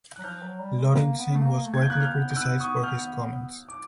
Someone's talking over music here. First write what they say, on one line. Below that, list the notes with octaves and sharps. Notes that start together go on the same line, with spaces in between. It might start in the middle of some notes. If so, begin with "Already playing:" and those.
Lorentzen was widely criticized for his comments.
F#3 F#6
F3 F6 G6
F#3
G3
G#3
A#3
B3
A3
A#3
A3
G#6
B3 G6
A#3 F#6 G#6
F6 G6
B3
G6
B3 E6 F#6
C#6 D#6
F6 G6
D6